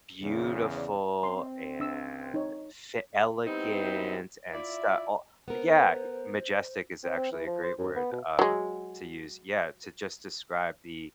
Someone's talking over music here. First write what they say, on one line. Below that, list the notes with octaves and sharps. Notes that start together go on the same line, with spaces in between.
beautiful and she elegant and stuff o Yeah, majestic is actually a great word, um, to use, yeah, to just describe the
E2 C#3
D5
C4 C6
D4 E6
D#4 C#5
G3 B3 C4 D#4 E4
E4 F4 D5 E5
B3 A#4 C5
C4
C4
E3
F3
C5
F#2
B3
B2
F#3 G#3